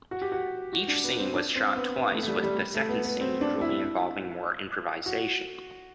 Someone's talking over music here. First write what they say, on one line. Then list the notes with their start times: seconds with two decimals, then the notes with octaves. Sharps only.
Each scene was shot twice with the second scene usually involving more improvisation.
0.11 F#4
0.22 G4
0.32 F#4
0.73 F#4
0.88 D4
1.04 B3
1.20 C4
1.35 D4
1.55 C4
1.76 B3
1.96 B3
2.12 A3
2.23 A3
2.28 G3
2.43 G3
2.58 G3
2.74 A3
2.89 B3
3.05 B3
3.21 C4
3.41 D4
3.61 E4
5.06 F#4